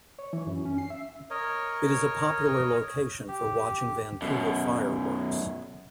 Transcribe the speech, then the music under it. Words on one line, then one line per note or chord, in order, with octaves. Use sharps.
It is a popular location for watching Vancouver fireworks.
C#5
E3
F#2
C#4
C7
E5
A#4 C#5 D#5
G4
F#2 B2